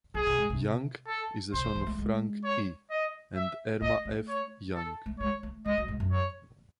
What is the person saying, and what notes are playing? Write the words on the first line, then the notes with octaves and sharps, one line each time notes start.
Young is the son of Frank E. and Erma F. Young.
D#3 G#4
C3
G#2
C3
A4
C#3 C5
D#3
E3
A3
G#3
C#5
D#5
E5
A3 D#5
A3
C#5
A4
A3
G#3 C#5
A3
G#3 D#5
F#3
G#2
F#2
C#5